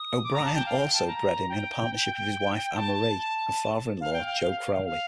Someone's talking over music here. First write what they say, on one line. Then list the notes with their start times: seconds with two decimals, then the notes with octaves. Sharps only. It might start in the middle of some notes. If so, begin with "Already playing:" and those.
O'Brien also bred him in partnership with his wife Anne-Marie and father-in-law Joe Crowley.
Already playing: D#6
0.24 D6
0.34 A#5
0.45 A5
0.55 G5
0.66 F5
0.80 G5
0.93 A5
1.07 A#5
1.49 G5
2.75 A5
3.17 A5
4.01 F5
4.13 G5
4.25 F5
4.42 F5
4.84 F5